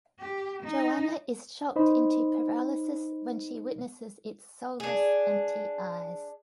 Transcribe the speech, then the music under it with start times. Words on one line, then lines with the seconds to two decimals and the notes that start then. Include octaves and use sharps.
Joanna is shocked into paralysis when she witnesses its soulless, empty eyes.
0.19 G4
0.63 D#4
1.76 D#4 C5 D#5 B5
4.80 D4 G#4